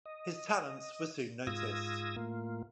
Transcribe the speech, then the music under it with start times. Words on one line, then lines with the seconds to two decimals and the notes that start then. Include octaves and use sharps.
His talents were soon noticed.
0.06 D#5
1.47 G#2 F4 D#6 E6 G#6 A#6
2.16 A2 A#3 F4